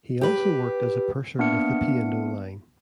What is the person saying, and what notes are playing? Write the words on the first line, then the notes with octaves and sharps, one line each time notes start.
He also worked as a purser with the P and O Line.
G4 B4
A#3 B3 D4 E5 F6 C#7